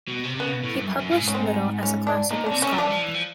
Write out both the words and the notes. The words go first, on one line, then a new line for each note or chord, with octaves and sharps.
He published little as a classical scholar.
B2
C3
C3
C#3 B3
B2
A2
G2
F#2
F#2
G#2
G#2 C#4
C4
C#4
D4
A#2 D#4
C3 D4
C#3 C#4
F3
E3 D4
F3
E3
F3